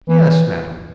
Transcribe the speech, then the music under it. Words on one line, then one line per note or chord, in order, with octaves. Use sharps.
"Yes, madam."
E3
E3